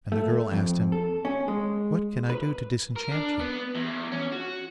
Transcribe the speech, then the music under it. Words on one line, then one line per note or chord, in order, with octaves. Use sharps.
And the girl asked him, 'What can I do to disenchant you?'
A3
F2
A4
C#4
G#3
B4
A#4
D4
B3
E2
C#4
F#4